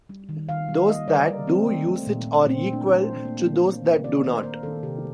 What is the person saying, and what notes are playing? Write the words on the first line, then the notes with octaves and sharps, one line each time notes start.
Those that do use it are equal to those that do not.
G3
D#3
D#3 F5
G3
A#3 D#5
G3 D5
G3 A#4
A#3 C4
A3
A3
A#2
A#2
A#2 C4
A3
D4
A3
C5
A3
A#3
A#3
A#3
A#3
D#3 D5
A#3 C5
A#3 A#4
D#3 A4
C3 G4